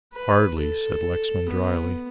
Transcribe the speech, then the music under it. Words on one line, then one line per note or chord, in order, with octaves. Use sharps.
"Hardly," said Lexman, drily.
B4
A4
B3